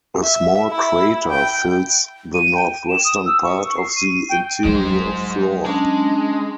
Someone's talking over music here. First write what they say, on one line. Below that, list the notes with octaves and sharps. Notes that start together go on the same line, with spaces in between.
A small crater fills the northwestern part of the interior floor.
E5
E4
G5
D#7
G5
E7
D#6
E6
C#6
C7
D#7
G5
D#3 F#3 G#3 C5
G#3 C#4 D4 A5